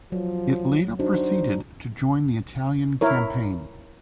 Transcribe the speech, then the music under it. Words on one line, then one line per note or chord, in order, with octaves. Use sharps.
It later proceeded to join the Italian Campaign.
F3 F#3
D4 D#4 F#4 C5
E4 A#4 C#5